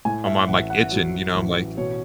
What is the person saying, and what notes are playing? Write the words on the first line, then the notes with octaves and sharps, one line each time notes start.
I'm I'm like itching, you know? I'm like
A2 G#5
E5
A1 F#5
F#5
F#3
A1
B2 C#5